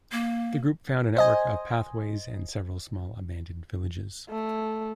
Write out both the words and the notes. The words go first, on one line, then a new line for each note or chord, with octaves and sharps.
The group found a network of pathways and several small, abandoned villages.
A#3
C5 D#5 G#5
A3